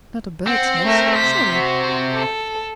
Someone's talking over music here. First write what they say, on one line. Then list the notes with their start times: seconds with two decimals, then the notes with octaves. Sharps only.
Not a bird's nest, surely.'
0.47 C4 F#5
0.85 A3 A#4
1.16 C3 C5 B6
1.54 F#4
2.13 A4